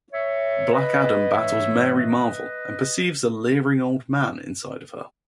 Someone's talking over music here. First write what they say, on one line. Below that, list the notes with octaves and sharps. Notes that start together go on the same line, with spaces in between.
Black Adam battles Mary Marvel and perceives a "leering old man" inside of her.
C#5 E5
B4 D#5
G#2 E3 A3 C#5 E5
B4 D#5